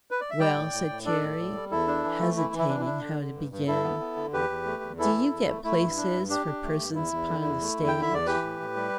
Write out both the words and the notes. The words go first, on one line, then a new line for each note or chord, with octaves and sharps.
"Well," said Carrie, hesitating how to begin, "do you get places for persons upon the stage?"
B4
D5
E5
G3 D5 G5
A2
A2
A2
D4 A4 D5
A2
A2
G3
E2 E4 A4
D4
E3
A3
E3 E4
E3
E4
D4
E4
D4
D3
D3
G2
G2
G2 E4 A4
B3
B3
D3
E2 G4 B4
E2
A3
E2
E3 E4 A4
E2
E2
A3
A3 E4
G2
D4
G2
D4 G4
D4
A3
G2
E2 E4
E2
D3
E2
A3
E2
G5
D3
E5
E2 D5
E3 G4 B4
A2
A2
G3